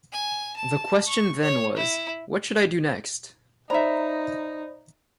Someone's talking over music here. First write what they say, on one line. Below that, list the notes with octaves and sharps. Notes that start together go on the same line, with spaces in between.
The question then was: what should I do next?
G#5
A5
C#6
C#5
E4
D#4 C5 D5 E5 A#5 B5